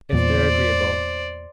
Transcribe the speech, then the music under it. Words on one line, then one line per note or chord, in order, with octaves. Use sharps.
"If they're agreeable."
E2 A#2 C5 D5